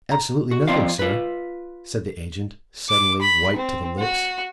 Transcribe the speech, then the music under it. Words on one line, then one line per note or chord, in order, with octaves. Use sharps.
"Absolutely nothing, Sir," said the agent, suddenly white to the lips....
A#5
F#4
F3 C4 F4 D5 F5
F4 B4
D6
B5
C4
F#4